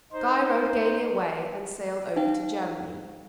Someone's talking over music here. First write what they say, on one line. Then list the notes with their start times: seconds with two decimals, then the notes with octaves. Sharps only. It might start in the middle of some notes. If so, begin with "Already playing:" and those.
Guy rode gaily away and sailed over to Germany.
0.12 D#4 C5
2.17 D#4 C5 F5 G5